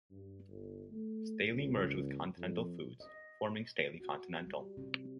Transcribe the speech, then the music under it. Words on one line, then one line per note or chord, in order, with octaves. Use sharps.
Staley merged with Continental Foods, forming Staley Continental.
G2
G1
A3
C#2
F2
D#5
F#4
G3
C3